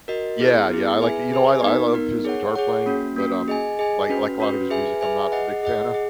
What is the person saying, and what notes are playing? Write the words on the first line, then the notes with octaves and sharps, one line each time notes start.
Yeah, yeah, I like it you know what? I lo love his guitar playing, but, um, like like a lot of his music, I'm not a big fan of,
F#4 A#4 D#5
B3 E4 G#4
B3 E4 G#4
G#4 B4 E5 G#5
G#4 B4 E5 G#5
B3 D#4 A#4
B3 D#4 A#4
G#4 C#5 F#5
G#4 C#5 F#5
A#3 C#4 F#4
A#3 C#4 F#4
G#4 D#5 G#5
G#4 D#5 G#5
C#4 F#4 B4
C#4 F#4 B4
G#4 B4 E5 G#5
G#4 B4 E5 G#5
G#4 D#5 F#5
G#4 D#5 F#5
G#4